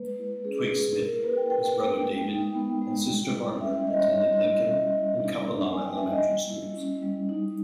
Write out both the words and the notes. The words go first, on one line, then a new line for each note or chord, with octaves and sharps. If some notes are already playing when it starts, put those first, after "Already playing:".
Twigg-Smith, his brother David, and sister Barbara attended Lincoln and Kapalama elementary schools.
Already playing: G#3 A#3 B4
E4
C#4 G#4
A#3 G#4
E4 A#4
A#3 B4
G5
E4 G5
A#3
G#3
D#4
B3
G#3
G3
E4
C#4 E5
E5
G3 D#5
C#5
G3 D#5
E4
C#4 E5
G3
D#4
A#3
D#4 G#5
G5
A#3 E5
D#5
G3
E4
C#4
G3
D#4